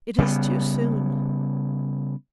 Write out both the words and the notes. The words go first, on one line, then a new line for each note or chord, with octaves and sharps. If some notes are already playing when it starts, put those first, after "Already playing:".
It is too soon.
C#3 G3 A#3 B3